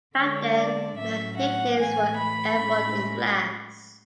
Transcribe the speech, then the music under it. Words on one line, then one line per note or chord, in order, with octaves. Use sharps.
Back then we had nicknames for everyone in class.
D3 G#3 D4 C#5
D5
A2 F#3 C#4 E5
F#5
A2 E3 A3 G#5
B5
A2 G#3 C#4